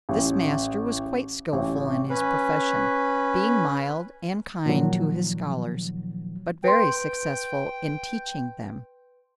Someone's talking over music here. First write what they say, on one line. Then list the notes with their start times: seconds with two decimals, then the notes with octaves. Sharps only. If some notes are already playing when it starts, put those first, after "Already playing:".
This master was quite skilful in his profession, being mild and kind to his scholars, but very successful in teaching them.
0.09 A1
1.53 A1
2.10 C#4 B4
4.66 A#2 D#3 F3 F#3
6.64 B4 G5 C6